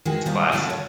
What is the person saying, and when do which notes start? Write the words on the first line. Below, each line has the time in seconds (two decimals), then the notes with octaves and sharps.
It's classic.
0.05 D#3 E3 G#3 E4 F#4 G#4
0.26 B2 G3 F4 C5 A#5
0.52 F#2 D3 F#3 G4 F#5 A5
0.70 C#5